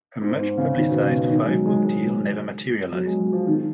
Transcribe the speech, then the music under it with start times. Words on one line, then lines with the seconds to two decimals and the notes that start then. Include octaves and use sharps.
A much-publicised five-book deal never materialised.
0.21 G#2
0.40 G#2
0.57 C#3
0.76 D#3
0.89 B2
1.03 C#3
1.17 B2
1.30 D#3
1.42 G#3
1.48 F#3
1.66 G#3
1.85 G#3
2.92 F#3
3.06 G#3
3.20 F#3
3.33 F3
3.47 D#3